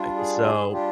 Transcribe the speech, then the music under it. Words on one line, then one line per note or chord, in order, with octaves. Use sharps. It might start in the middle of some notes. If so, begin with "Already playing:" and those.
I so
Already playing: G3 D4 F4
G#4
G#4
G3 D4 F4 G4